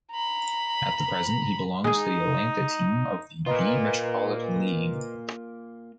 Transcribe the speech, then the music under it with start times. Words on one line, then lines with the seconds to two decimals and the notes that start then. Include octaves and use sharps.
At the present, he belongs to the Atlanta team of the B Metropolitan League.
0.12 A#5 B5
1.84 G#3 D#4 G#4
3.46 A#3 F4 B4 D#5 A#5